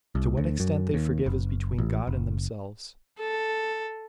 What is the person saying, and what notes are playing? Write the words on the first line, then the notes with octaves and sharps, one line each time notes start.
To what extent they forgive is between God and themselves.
C2
D2
F#2
D#2
F#1
A1
F#1
A4